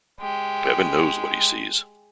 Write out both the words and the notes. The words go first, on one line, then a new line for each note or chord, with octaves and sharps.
Heaven knows what he sees.
G#3 G4